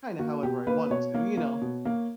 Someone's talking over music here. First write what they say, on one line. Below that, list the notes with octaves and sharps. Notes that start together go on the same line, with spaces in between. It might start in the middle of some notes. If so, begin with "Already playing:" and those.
kinda however I want to, you know,
A#3 F#4
B2 G4
A#3 B4
B2 C#5
A#3
A#3
B2
A#3